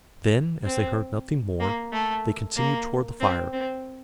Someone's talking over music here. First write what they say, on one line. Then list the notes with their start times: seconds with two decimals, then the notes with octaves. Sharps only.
Then, as they heard nothing more, they continued toward the fire.
0.65 C4
1.60 A#3
1.92 A3
2.56 A#3
3.20 C4
3.53 C4